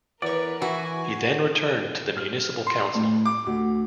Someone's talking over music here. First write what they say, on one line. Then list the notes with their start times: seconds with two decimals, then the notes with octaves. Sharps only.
He then returned to the municipal council.
0.22 E2 A#4 B4 C#5 D5
0.62 E3 E4 F#4 G#5
2.17 F6
2.67 C6
2.95 A2
3.25 D6
3.47 D2